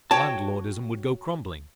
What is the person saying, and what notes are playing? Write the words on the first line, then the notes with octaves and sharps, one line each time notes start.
Landlordism would go crumbling.
F#4 C#5 G5 A5